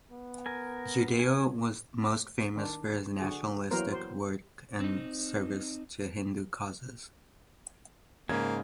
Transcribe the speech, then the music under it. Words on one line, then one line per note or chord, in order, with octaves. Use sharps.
Judeo was most famous for his nationalistic work and service to Hindu causes.
B3
A#4 G#5
G#5
D#3 D4
D3 F#4 G#4
E3 F#3 A#3 B3 A#4 C5
C5
C4 D#4
E2 G#2 C#3 A#3 G#6